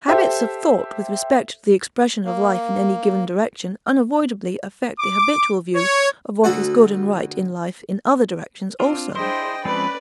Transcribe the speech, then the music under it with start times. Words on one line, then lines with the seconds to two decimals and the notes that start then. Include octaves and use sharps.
Habits of thought with respect to the expression of life in any given direction unavoidably affect the habitual view of what is good and right in life in other directions also.
0.08 G4 A4 C5 E5
2.25 A#3
5.00 D6
5.75 C#5
6.44 D2 F#4 A4 F#5
8.80 C4 D4 F4
9.16 D4 E4 G#4 C5 D#5 G5 C6
9.65 F3 G#3 C4 C#4 B4 D5 B5